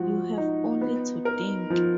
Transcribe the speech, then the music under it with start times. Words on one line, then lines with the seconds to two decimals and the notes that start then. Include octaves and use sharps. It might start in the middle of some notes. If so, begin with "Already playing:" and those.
You have only to think!
Already playing: F3 G#3 F#4
0.38 D#4
0.81 B3
1.25 A#4
1.70 F3